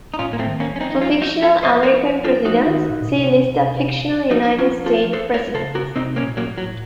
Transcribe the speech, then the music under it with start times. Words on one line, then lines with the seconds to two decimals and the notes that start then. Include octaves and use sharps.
For fictional American presidents, see List of fictional United States Presidents.
0.14 D#4
0.19 A2 C#4 F4
0.33 A#3
0.39 A3 C4
0.46 D#3
0.60 A#3 C#4
0.74 F3 C#4
0.80 C4 D#4
0.91 D#4
1.01 F3 C#4 F4
1.22 D#4 F#4
1.42 F4 A4
1.63 C5 D#5
1.83 A#4 C#5
2.24 F4 A4
2.45 D#4 F#4
2.67 D#3
2.90 A2
2.99 A#2
3.08 C3
3.49 C3
3.76 C3
4.31 F3 D#4 F#4
4.59 C#4 F4
4.86 F4 A4
5.13 A4 C5
5.34 A#4 C#5
5.54 C#3 A4 C5
5.75 F#4 A#4
5.96 C3 C4 D#4
6.16 A#3 C#4
6.23 A#2
6.37 F#3 A#3
6.51 A2
6.58 F#3